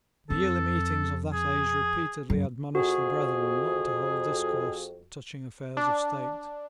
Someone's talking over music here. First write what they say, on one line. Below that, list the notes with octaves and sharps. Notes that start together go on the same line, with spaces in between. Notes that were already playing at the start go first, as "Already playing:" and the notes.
The yearly meetings of that age repeatedly admonished the brethren not to hold discourse touching affairs of state.
F2 A4
G#4
F#2
F2 F#4 G#4
D4